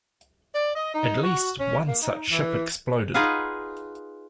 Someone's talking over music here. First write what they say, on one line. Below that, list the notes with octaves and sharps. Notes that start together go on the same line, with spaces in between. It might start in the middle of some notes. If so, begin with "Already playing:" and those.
At least one such ship exploded.
D5
D#5
D#4
F#4
C#4
A#3
D#4
E3
D#4 F4 G#4 B4 F5 F#5